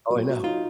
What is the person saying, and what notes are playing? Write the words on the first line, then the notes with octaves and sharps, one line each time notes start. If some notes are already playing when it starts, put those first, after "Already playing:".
Oh, I know.
F#3
F#3
D#4 F4